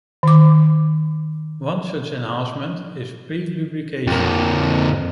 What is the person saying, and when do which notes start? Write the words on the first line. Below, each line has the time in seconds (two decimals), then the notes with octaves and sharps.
One such enhancement is pre-lubrication.
0.23 D#3 D6
4.07 F2 A#3